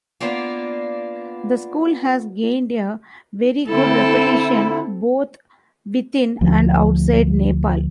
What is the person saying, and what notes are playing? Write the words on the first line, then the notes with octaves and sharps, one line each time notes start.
The school has gained a very good reputation both within and outside Nepal.
A#3 B3 D4 F4
D3 C4 E4 A4
D2 F3